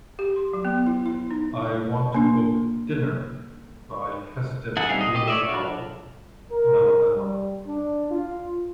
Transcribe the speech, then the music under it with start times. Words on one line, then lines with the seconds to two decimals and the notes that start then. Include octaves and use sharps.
I want to book Dinner by Heston Blumenthal in Alabama.
0.19 G4
0.36 C6
0.53 F#3
0.65 B3
0.87 E4
1.06 E4
1.31 D#4
2.14 A#3 D4
4.77 E4 G#4 A4 F#5 G#5
4.89 G3 C4 D#4 F5
5.01 D#5
5.15 G4 D#5
5.28 C#5 D5 E5
5.48 D4 F4 F#4
6.51 A#4
7.15 G3
7.67 D4
8.11 F4